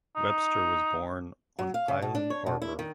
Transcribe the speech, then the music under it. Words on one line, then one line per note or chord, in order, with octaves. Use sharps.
Webster was born on Island Harbour.
D#4
F#3
F5
C#3
B2
D4
C#5
B2
E4
D#3